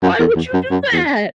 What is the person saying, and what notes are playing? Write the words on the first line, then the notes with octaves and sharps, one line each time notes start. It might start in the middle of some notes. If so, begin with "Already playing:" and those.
Why would you do that?"
F#2
E2
E2
F#2
F#2
E2